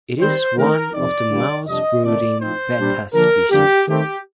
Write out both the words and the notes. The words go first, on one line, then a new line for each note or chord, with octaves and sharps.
It is one of the mouthbrooding "Betta" species.
D#3 G3 C4 C5
D#3 A3 C4 D#4 A#4
F2 C3 D#3 D5
D3 G3 A#3
F2 C3 G3 D4 D#5
C3 D#3 A3 D5
A2 F3 C4 D#4 C5
A#2 G3 D4
D3 F3 A#3 D4 A#4
F2 D3 G3 A#3 G4
D#3 A3 C4 G4